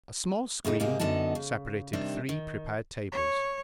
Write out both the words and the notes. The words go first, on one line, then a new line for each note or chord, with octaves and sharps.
A small screen separated three prepared tables.
A2 C#3 A3 D#4
G#2 C3 A#3 G4 G#4
F#2 D3 B3 D#4 A5
C#3
C3 D#3 G3 C4 D4
D#3
C#5